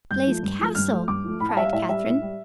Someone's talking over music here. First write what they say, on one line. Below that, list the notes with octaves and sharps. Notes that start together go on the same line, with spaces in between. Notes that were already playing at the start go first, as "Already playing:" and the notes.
"Blaize Castle!" cried Catherine.
G2 G6
F3 A3
G2
F3 A3
G2 F6
F3 A3
G2 D6
F3 A3
A2 B5
A5
G3 E5
F5
A2 E5
G3 E5
A2
G3